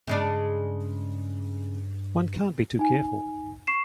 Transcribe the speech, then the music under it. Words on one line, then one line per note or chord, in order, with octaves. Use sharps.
One canât be too careful.
G2 C#3 G#3 D4
D#4 G#5
C#6 C7 E7